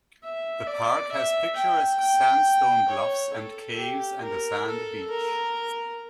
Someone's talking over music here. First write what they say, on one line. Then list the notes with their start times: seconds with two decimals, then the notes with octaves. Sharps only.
The park has picturesque sandstone bluffs and caves and a sand beach.
0.24 E5
0.67 D5
1.12 E5
1.56 G5
2.00 G5
2.89 C#5
3.33 A4
3.77 G4
4.21 A#4
4.67 A4
5.11 A#4